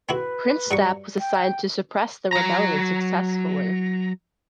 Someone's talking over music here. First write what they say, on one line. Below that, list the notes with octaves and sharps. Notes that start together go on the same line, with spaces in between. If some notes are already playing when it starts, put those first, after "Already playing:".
Prince Thap was assigned to suppress the rebellion, successfully.
C4 E4 F#4 B4
G2 F#3 C#6
G5
F#3 A#5